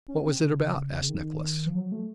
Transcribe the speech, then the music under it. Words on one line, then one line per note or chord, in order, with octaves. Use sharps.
"What was it about?" asked Nicholas.
C#4
C4
C#3
C#3
D#3
F3
F#3
A3